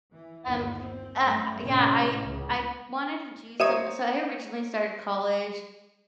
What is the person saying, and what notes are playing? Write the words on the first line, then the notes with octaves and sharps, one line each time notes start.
Um, y uh, yeah, I I wanted to do some so I originally started college,
E3
G1 D#2 D#3
C4
F#2 G3 A3
A1 A2 C3 G#3 C#4
C#2 A2
C5 C#5 D#5 E5 A#5 D#6